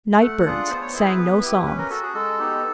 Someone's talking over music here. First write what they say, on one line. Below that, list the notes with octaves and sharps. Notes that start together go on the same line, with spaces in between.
Nightbirds sang no songs.
A3 F#5
D4 F4 G#4
B3 C5
C#5
E4 G#4 C5
B4
B3
E4 G4
C#4 B4
A#4
F#4 A4
G#4
G#3 A4
B3 D#4 G4